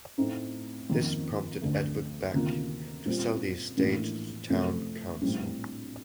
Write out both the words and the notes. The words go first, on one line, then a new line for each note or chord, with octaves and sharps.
This prompted Edvard Bech to sell the estate to the town council.
A2 A3 C4 D#4
F2 D#3 A#3
D2 D3 A3
D2 C3 D#3 A#3 F4
A#2 G3 C4 F4
A1 A2 F3 A#3 D4
F2 C3 F3 A3 C4
A#1 A2 G3 C4